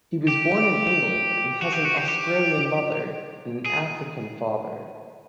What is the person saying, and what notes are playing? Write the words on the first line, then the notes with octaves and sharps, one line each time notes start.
He was born in England and has an Australian mother and an African father.
G4
F#4
G4
F#4
G4
G4
G#4